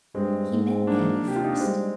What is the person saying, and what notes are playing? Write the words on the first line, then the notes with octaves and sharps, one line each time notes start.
He met Mattie first.
G2 G#3 C4
G#2
A#3 D4
C3 G4
F4
D#4
D4
G3 G#3 C4